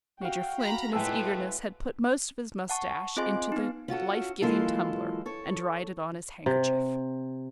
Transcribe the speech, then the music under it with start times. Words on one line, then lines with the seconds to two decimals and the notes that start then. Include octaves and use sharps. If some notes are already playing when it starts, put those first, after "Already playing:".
Major Flint in his eagerness had put most of his moustache into the life-giving tumbler, and dried it on his handkerchief.
0.21 F#4 F5 G5
0.59 A#5 B5
0.93 A2 G#3 A3 B4 G5 A5 E6
2.70 F#5 A5 C#6
3.17 C4 F4 G#4 D#5 G#5 C6
3.52 B3 D#4
3.88 C#4 F4 F#4 A4
4.42 E3 F#3 G#3 A#3 F4 A4
5.26 A4 C#5
6.46 C3